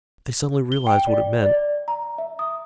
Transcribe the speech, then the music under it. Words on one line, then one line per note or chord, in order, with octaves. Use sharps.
They suddenly realized what it meant.
G7
G5
D5
D5
A#5
E5
D#6